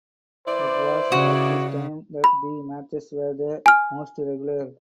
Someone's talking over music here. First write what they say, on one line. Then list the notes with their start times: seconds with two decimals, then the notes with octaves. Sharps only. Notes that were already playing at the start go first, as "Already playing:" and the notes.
It was at this time that the matches were the most regular.
0.47 E3 E4 C5 D5
1.12 C#3 F#4
2.24 B5
3.66 G#5 F6